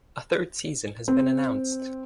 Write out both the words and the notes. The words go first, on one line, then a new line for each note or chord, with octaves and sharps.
A third season has been announced.
C4